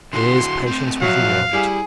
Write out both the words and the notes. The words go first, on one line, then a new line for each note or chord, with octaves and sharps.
His patience was rewarded.
D3 E4 F#4 C6
A3 C4
A#2 F3 F#3 E5 F5 F#6
G3 E4 G#4